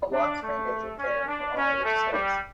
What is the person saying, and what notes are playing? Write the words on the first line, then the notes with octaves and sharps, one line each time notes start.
But wants free dental care for all, which is nice.
D4
A3
C#4
D4
C#4
A3
G3